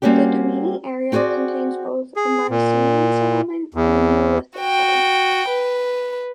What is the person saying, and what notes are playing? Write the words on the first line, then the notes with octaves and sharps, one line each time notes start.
The Dimini area contains both a Mycenean settlement and a Neolithic settlement.
G3 A#3 C4 C#4 F#4 G4
C4 F#4 G#4 C5 D5
G#4
A#2
E2
F#4 G5
B4